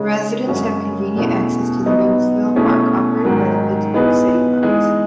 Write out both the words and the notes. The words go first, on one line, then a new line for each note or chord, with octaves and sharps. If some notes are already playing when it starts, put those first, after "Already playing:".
Residents have convenient access to the Banksville park, operated by the Pittsburgh Citiparks.
Already playing: C#3 G#3 D#4 G#4
F#2 C#3 G#3 C#4 F#4
E2 B2 A3 C#4 E4
F#3 B3 D#4
B2 A3 C#4 E4 G#4
G#2 D#3 F#3
E3 B3 D#4 G#4 B4
E3 G#3 D#4 G#4